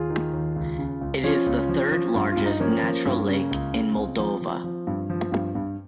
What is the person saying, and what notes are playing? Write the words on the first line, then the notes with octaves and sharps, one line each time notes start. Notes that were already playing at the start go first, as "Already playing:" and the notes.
It is the third largest natural lake in Moldova.
Already playing: D#2 F4 G#4
D#3
D#2
C#2
C#3
C#2
F3 C#4 F4
C#2
F3
F3
G2
G2 F4
D#4
F3 A#3 C#4
F3
G2
C#3
C#2
C#3
C#2 C4
F3
F3
F3
G2
F3
G2
G2